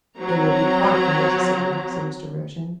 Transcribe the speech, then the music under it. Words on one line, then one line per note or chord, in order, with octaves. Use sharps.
"It will be quite unnecessary," said Mr. Merton.
F#3 C4 A#5